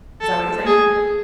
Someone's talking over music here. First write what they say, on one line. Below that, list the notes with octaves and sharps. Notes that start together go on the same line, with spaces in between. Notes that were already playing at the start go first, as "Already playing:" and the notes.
Is that what you're saying?
A4
G#4